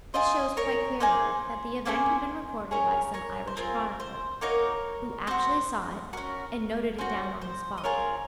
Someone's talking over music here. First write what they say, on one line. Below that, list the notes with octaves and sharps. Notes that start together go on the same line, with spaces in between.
This shows quite clearly that the event had been recorded by some Irish chronicler, who actually saw it and noted it down on the spot.
C4 F4 G#4 C5 D#5
A#4 C#5
A#3 D#4 G#4 C5
A#3 C#4 G#4 C5
C#4 G#4 A#4 C#5
A#4 C#5
C5
C4 F4 G#4 A#4
C5
A#3 D#4 F#4 A#4 C#5
C4 F#4 C5
C#4 F#4 A#4
C#4 F#4 C5
C5
D#5
C4 F4 G#4 A#4 C#5